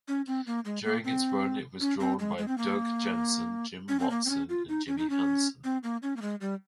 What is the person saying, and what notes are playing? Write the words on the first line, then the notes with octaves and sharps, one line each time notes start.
During its run it was drawn by Doug Jensen, Jim Watson and Jimmy Hansen.
C#4
C4
A#3
G#3
A#3
C4
C#4
C4
G#3
G#3
C4
A#3
C#4
C4
A#3
C4
C#4
F4
D#4
C#4
D#4
C#4
C4
A#3
C#4
A#3
G#3
G3